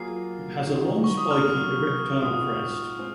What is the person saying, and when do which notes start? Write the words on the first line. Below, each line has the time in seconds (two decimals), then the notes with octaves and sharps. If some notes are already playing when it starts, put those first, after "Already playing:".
It has a long spiky erectile crest.
Already playing: F#3 A#3 F4 G#4 C7
0.66 D#3 A#3 D#4 F#4
1.04 C#6
1.17 D#6
1.31 F6
1.44 C3 F#3 A#3
2.21 A#2 G#3 D#4 F#4 D#6
2.60 D#6
2.99 G#3 C4